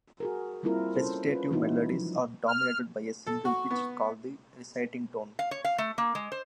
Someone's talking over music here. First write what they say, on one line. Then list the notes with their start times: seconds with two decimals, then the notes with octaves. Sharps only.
Recitative melodies are dominated by a single pitch, called the "reciting tone".
0.20 F#4 G#4 A#4
0.63 G3 A#3 C4 E4 F4 A#4
0.95 C#4 A4 C5
1.27 C#4 F4 B4
1.51 E3 G#3 C#4 D#4 E4 F#4
1.89 F3 F#3
2.48 F6
3.27 A4
3.45 F#4 C#6
3.71 B3
5.39 F5
5.51 C#5
5.65 F5
5.78 A3
5.98 A#3
6.15 G#3
6.32 C5